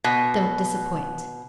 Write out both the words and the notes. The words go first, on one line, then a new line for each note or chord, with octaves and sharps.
Don't disappoint.
B2